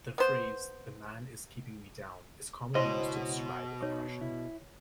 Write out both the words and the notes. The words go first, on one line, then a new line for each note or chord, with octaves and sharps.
The phrase "the Man is keeping me down" is commonly used to describe oppression.
B3 C5
C#2 B2 E4 C5 C#5 D#5 C6
D#4 C#5
E4